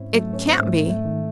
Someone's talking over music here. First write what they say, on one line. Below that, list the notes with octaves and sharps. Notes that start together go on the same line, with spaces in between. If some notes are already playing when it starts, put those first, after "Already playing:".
"It can't be."
Already playing: G#2 C4 C#4 E4
F#3 A3
C#4
C4
G#2 A3
A3
D#3